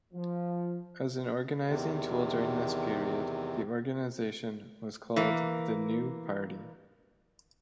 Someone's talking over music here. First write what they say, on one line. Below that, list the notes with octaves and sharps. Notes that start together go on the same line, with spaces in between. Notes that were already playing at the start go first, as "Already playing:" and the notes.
As an organizing tool during this period, the organization was called the New Party.
F3
E2 C3 D#3
E3 A#3